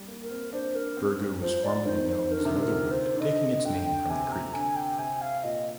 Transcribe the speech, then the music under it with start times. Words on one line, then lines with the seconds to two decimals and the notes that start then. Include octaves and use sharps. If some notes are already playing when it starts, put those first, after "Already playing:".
Bergoo was formerly known as Leatherwood, taking its name from the creek.
Already playing: G3
0.08 A#3
0.23 A#4
0.31 C4
0.53 D4 C5
0.75 A#4
0.97 C4
1.42 F3 C5
1.64 D5
1.86 D#3 C5
2.09 C5
2.31 D#3 A#4
2.38 D3
2.45 C3
2.52 D3
2.60 A#4
2.91 C5
3.15 D#3
3.20 D3 D#5
3.65 D3 G5
4.10 C3 G#5
4.32 A#5
4.54 D3 G#5
4.76 G5
4.98 C3 G#5
5.22 F5
5.43 A#2 D#5